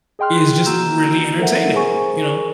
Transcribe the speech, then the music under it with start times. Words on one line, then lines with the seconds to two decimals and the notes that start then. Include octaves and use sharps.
is just really entertaining. You know?
0.19 G#4 D#5 G5 C6 F6 F#6
0.66 A#3 F#4 A#5 E6 G6 E7
1.39 A4 A#4 C5 E5 F#5
1.73 G#4 A#4 C5 G#5 C#6